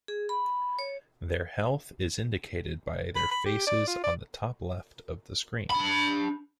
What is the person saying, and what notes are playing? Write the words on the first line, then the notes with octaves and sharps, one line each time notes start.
Their health is indicated by their faces on the top left of the screen.
G#4
B5
C#5
B5
B5
G4
D5
F4
D5
D4 B5